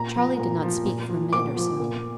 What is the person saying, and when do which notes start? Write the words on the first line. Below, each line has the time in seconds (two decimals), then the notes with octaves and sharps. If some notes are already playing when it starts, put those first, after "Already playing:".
Charley did not speak for a minute or so.
Already playing: A#2 A#5
0.16 F3
0.39 A#2
0.63 F3
0.86 A#2
1.09 F3
1.33 A#2 D6
1.56 F3
1.80 A#2